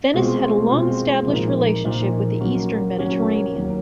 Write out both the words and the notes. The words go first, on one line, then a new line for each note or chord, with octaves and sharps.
Venice had a long-established relationship with the Eastern Mediterranean.
B2 G#3 C4 F4
B2 G#3 C4 F4
A#2 F3 A#3 D#4
A#2 F3 A#3 D#4
F#3 A#3 C#4 F#4
F#3 A#3 C#4 F#4
D#2 D#3 F#3 A#3